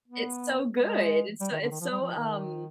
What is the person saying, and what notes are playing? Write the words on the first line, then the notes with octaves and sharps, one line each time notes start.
It's so good, it's so it's so, um
B3
B3
G#3
G3
D#3
D3
D#3
F3
G3
F3
D#3